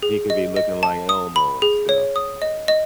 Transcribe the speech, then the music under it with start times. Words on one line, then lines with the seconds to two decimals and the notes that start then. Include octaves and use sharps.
He could be looking like Elmo and stuff.
0.03 G#4
0.30 D#5
0.56 D#5
0.83 A5
1.09 D#6
1.36 B5
1.62 G#4
1.89 C#5
2.16 D#6
2.42 D#5
2.68 D#5